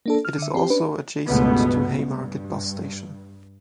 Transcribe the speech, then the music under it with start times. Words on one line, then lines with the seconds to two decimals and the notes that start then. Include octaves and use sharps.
It is also adjacent to Haymarket bus station.
0.06 A#3 D4 A4
0.25 F6
0.38 D3 E5
0.55 C4 G4
0.70 C#4 D4 B4
1.27 C#2 G2 B2 A3 B3
1.88 G2